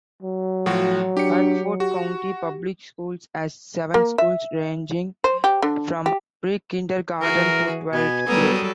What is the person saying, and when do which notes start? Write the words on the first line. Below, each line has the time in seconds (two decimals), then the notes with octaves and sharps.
Hertford County Public Schools has seven schools ranging from pre-kindergarten to twelfth grade.
0.22 F#3
0.66 A2 F3 F#4
1.17 D4 G4 C#7
1.80 F#4 G4
3.94 A#3
4.18 E5
5.24 C5
5.44 G4
5.62 D3
6.06 G4
7.21 E3 F#4 G#4 A#4
7.93 B2 B3 G#5
8.28 F#3 G3 B3 A4 A#4 D#6